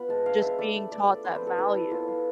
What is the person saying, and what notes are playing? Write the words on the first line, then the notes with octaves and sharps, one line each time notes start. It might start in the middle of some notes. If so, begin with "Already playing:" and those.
just being taught that value.
Already playing: B3 F4 B5
G#3 A5
D4 F5
G#3 E5
A3 D5
A3
A3 D5
F4
C4 C5
B4
C4
A4
E4 A4
E4
B3 F4
F4